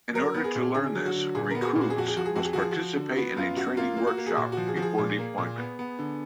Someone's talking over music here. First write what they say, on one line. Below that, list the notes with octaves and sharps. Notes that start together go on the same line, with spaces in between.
In order to learn this 'recruits' must participate in a training workshop before deployment.
F#3 A#4
B3
G#4
A#2
D3 G#4
F#3
F#4
D3
A#2 G#4
B3 A#4
F#4
G#4
A#2
F#4
G#4
F2 F#4
G#4
F3 F#4
G#4
F2 F#4
G#4
F3 F#4
G#4
F3 F#4
D3
B3 F#4
F#2 F4
F#2 F#4
A#3 F4
A#3
F#4
A#3
G#4
A#2 F#4
F3 F#4
G#4
F3 F#4
G#4
A#2
A#3
A#2
B3
B3
D3